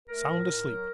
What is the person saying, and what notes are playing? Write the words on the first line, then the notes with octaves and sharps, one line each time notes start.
Sound asleep!
A3 A#4
A2
A2
F#3